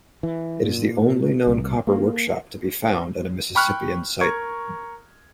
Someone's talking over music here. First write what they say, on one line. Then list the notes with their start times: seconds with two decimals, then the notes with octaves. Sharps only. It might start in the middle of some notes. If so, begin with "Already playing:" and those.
It is the only known copper workshop to be found at a Mississippian site.
0.23 E3
0.63 A#2
1.47 C2
1.87 A#3
3.55 G5 B5 C#6 F6 F#6
4.21 A#4 C#6 G#6